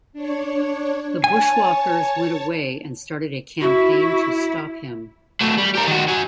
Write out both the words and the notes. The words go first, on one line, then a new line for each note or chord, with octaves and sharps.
The bushwalkers went away and started a campaign to stop him.
D4 C#5
C#5 G#5 A5
E4 F#4
F#3 A3
G3
G4 A#4
D#3 F#4
F#4 G#5